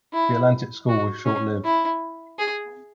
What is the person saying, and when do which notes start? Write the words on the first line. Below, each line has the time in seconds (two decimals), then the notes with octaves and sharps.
The Atlantic School was short lived.
0.13 E4
0.89 F#4
1.26 C#4
1.65 E4
2.39 G#4